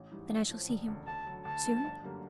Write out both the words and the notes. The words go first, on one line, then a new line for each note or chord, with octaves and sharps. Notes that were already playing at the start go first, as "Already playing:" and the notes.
"Then I shall see him ... soon?"
Already playing: A1
G#2 E3 G3
A#1
A2 F3
E1
D2 C#3
D2 A5
D3 F#3
D2 A5
D3 F3 A3
G1
F#2 D3 G3 A#3